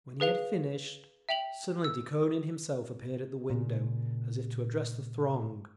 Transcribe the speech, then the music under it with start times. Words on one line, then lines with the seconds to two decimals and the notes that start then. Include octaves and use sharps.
When he had finished, suddenly Dukhonin himself appeared at the window, as if to address the throng.
0.20 G#4 B4 F5 F7
1.29 E5 G5 F7 F#7
1.84 E6
3.50 A#2 C#3